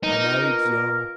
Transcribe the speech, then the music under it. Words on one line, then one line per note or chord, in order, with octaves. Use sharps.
I married young.
B2 A#3 D#4 F4 A#4